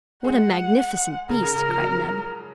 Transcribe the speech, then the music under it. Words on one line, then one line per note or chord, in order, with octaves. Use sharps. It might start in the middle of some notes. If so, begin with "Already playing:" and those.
"What a magnificent beast!" cried Neb.
G#3 F#5
C#3 A#4
C#3
C#3
F3
F#3